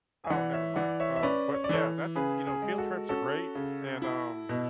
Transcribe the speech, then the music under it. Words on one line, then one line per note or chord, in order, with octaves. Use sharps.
Oh, never mind. Um, but, yeah, that's th you know, field trips are great, and um
G#5
E3 D5 F#5
C#5 E5
E3 D5 F#5
C#5 E5
E5
C#4 B4 D5
C#5
D5
E3 A4 C#5
C#3 G#4 B4
G#4
G#3
F#4 A4
C#4 F#4 A4
C#3
E4
B2